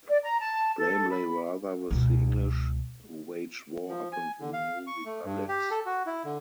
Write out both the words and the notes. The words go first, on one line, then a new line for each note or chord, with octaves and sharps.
Blame lay rather with the English who waged war upon the new republics.
D5
A#5
A5
A4
B5
C#2 B2
F3
G#5
D3
F5
C#6
A3
G2
G4
A4
F#4
E4
D3